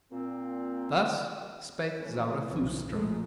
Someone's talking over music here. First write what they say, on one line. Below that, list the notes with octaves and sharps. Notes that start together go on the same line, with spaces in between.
Thus spake Zarathustra.
A#2 C4
E3 A3 C#4
B1 F2 C#3 E3 F3
A#2 F3 G#3 A3